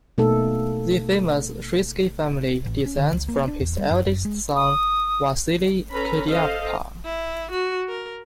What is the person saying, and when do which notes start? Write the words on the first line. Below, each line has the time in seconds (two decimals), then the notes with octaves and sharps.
The famous Shuisky family descends from his eldest son, Vasily Kirdyapa.
0.18 B2 A3 A#3 D#4 A4
2.66 A1
2.86 C#4
2.97 D3
3.13 C#2
3.28 A#3
3.48 D4
3.61 E2
3.78 G3
3.91 F#2
4.06 F#2
4.25 G#3
4.55 D#6
5.92 C#4 A4 B4 A#5 B5
6.27 A4 C5 D#5 F5
7.05 E4
7.51 F#4
7.88 A#4